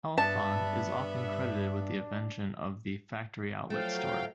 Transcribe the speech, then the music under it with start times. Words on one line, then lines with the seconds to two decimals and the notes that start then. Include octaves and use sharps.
Alfond is often credited with the invention of the factory outlet store.
0.18 G2 B3 D4 E5 A5
3.70 F3 F#3 A3 F5 G5